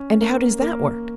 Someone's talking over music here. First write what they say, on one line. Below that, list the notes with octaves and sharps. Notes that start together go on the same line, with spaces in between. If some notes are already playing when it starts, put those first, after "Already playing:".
"And how does that work?"
Already playing: C#4
A#3
A#3